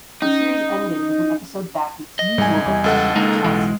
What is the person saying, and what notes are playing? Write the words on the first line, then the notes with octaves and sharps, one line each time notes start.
The series ended with an episode back in its usual location in Chelsea.
C#4 D#4
D#5
C2 G#2 G3 G#3 G#5
E2 G3
C#2 A4 F#5
G#3 A#3 D#4
B1 E3 G#3